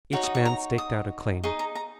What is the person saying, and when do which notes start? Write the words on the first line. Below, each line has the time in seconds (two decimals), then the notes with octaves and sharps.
Each man staked out a claim.
0.13 D#4 F#4 C#5
0.23 D#6
0.35 C#6
0.45 A#5
0.78 D#6
1.44 D#4 G#4 D#5 C#6
1.59 A#5
1.75 A#5